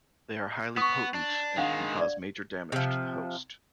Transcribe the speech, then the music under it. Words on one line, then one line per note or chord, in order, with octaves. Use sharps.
They are highly potent and can cause major damage to the host.
B3 C#6 D#6
D4
D#3 G#3 D4 F5 F#5
D5
C3 F3